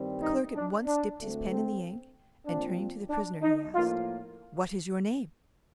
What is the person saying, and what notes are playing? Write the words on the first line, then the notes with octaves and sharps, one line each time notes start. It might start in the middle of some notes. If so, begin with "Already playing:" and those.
The clerk at once dipped his pen in the ink, and turning to the prisoner he asked: "What is your name?"
Already playing: G2 D#3 G3 C4
D#4
D4
D4
D2 D3 A3 C4
C4
A#2 F3 C4 D4
D4
D#4
A2 F3 A#3 F4